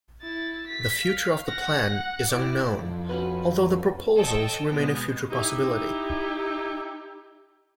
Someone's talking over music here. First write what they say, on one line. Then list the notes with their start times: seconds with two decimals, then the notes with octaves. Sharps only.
The future of the plan is unknown although the proposals remain a future possibility.
0.22 E4 A6
0.66 B6
1.03 F5
1.47 F#5 A#6
1.91 F#5
2.28 E4 D5
2.73 F2
3.09 C#4 F#4 B4
4.16 A4 C#5 D#5 G5
4.69 B2 G#3 B3
5.31 D#4 E4 G4